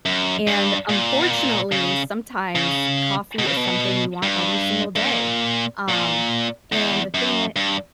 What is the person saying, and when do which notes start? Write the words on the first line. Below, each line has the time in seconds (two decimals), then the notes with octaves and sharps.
and, unfortunately, sometimes coffee is something you want every single day, um, and the thing it
0.05 F#2
0.47 G2
0.89 A#2
1.20 B2
1.30 A#2
1.72 C#3
2.55 C#3
3.39 B2
3.47 C#3
3.57 B2
4.23 G2
4.96 G2
5.06 A#2
5.88 A#2
6.72 E2
7.14 F#2
7.56 G2